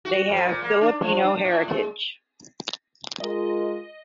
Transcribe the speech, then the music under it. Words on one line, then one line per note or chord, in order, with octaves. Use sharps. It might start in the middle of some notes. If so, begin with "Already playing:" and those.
They have Filipino heritage.
F#4
F2
A#2
A#3
D4
F3
D4
A2
G#3
G#3 F4 A#4 D#5